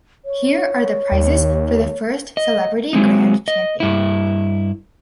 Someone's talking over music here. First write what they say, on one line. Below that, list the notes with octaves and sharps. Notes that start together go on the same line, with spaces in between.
Here are the prizes for the first Celebrity Grand Champion.
C#5
D#2
D#5
F#3 G#3 C4 D#4
D#5
G2 E4